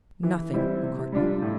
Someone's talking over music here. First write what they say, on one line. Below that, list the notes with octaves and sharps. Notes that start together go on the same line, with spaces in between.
"Nothing, Carton."
E3
G3 C4 E4
C3
G3 D4 F4
A2